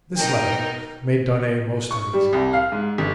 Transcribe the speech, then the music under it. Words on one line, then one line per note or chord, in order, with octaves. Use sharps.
This letter made Darnay most uneasy.
B2 D#4 A#4 G5
C#6
G3
C2
F5
G#2
G1